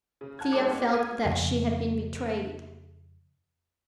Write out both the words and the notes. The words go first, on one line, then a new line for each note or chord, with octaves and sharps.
Thea felt that she had been betrayed.
C#3
F#5 A5 F#6 G#6
G2 D#4 A4 A5 D6 C#7
B3 C#4 G#4 D#5 F#5
G4
D#6 F6 G#6 D#7
F2 C#3